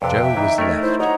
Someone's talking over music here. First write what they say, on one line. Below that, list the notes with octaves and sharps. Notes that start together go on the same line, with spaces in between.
Joe was left.
F2 C3 B4 D5 G5
E5
E3 D#4
A3 A#4 C#5
E4 C5
C#5 D#5 F#5 A#5 D#6